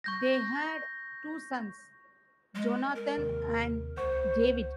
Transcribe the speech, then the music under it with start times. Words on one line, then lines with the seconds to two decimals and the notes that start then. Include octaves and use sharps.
They had two sons, Jonathan and David.
0.04 C#6 G6 A#6
2.55 G#3
2.95 A#4
3.17 D#2 C3
3.97 C#2 C5 F#5 C#6